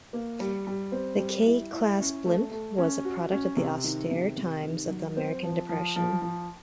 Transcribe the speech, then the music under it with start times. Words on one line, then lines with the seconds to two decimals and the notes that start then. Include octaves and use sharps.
The "K"-class blimp was a product of the austere times of the American depression.
0.13 A#3
0.40 G3
0.67 G3
0.92 C4
1.19 G3
1.46 E4
1.73 E4
1.99 C#4
2.25 A3
2.52 A3
2.78 C#4
3.05 F#4
3.31 C#4
3.57 C3
3.84 D#3
4.11 C3
4.37 C3
4.64 D#3
4.89 F#3
5.17 C4
5.43 F3
5.69 F3
5.96 F3
6.22 F3